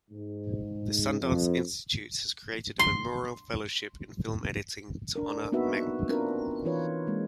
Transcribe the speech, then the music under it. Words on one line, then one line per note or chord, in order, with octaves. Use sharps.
The Sundance Institute has created a memorial fellowship in film editing to honor Menke.
G#2
F2
C6
D4 A#4
A#3 B3 D#4 F#4 B4 E5
C4 D4 F4 A#4 B4
E3 D#4 F4 B4 C#5
G#3 A#3 C4